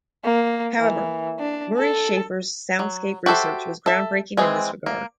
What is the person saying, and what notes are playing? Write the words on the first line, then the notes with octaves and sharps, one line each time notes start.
However, Murray Schafer's soundscape research was groundbreaking in this regard.
A#3
E3
D4
A4
F#3
F#4 G4 A4 C5 E5
A4 E5
E3 G#3 C4
A#3